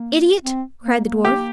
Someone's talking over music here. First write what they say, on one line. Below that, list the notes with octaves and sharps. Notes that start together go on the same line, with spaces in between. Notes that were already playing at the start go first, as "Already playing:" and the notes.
"Idiot!" cried the dwarf.
Already playing: A#3
C4
A#3
A#3
G4